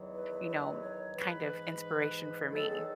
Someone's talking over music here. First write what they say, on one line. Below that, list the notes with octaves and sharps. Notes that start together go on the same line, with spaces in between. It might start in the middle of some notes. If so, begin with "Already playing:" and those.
you know, kind of inspiration for me.
Already playing: E2 D#3 F#3
B4
B4
C#5
G#2 E3 B4
E2 D#3 F#3 A4
G#4